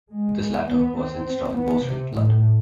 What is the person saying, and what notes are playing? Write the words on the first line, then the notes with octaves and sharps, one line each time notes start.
This latter was installed in Bow Street, London.
G#3
B3
C4
B3
C3
A2